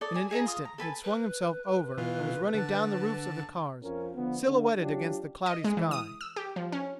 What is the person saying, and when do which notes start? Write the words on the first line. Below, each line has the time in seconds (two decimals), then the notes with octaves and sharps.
In an instant he had swung himself over and was running down the roofs of the cars, silhouetted against the cloudy sky.
0.01 A4 C#5 D5 D#6
0.14 D5 G#5
0.31 G#4 D#5 G#5 A#5
0.46 F4 D#6
0.65 A#5
0.78 A4 B4 G#5 A5
1.03 B4
1.98 B2 E3 F4
2.54 D3 A5
3.82 F2 C4 C#4 F4 A#4
4.14 D3 F3 B3
4.46 D3
4.79 F#3 C#4 D4 F4 G4
5.46 D#5
5.64 G#3
5.77 E3
5.91 D#6
6.21 E6
6.36 G4
6.56 F3
6.72 C#4